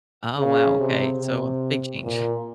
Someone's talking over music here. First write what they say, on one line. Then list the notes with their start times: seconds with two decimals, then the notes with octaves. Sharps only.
Oh, wow, okay, so a big change.
0.38 C#3
0.79 C3
1.20 C3
2.04 A#2